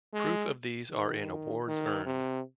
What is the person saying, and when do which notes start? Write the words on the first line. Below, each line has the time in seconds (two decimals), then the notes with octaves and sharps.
Proof of these are in awards earned.
0.13 G#3
0.90 D#3
1.67 D#3
2.06 C3